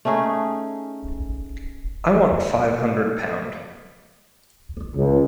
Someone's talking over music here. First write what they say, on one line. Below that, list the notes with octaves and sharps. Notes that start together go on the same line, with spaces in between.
I want five hundred pound.
A3 C#4 D#4 G#4
C#2